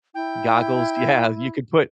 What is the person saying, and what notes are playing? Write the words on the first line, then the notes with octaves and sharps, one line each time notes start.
goggles Yeah you could put
E4 G5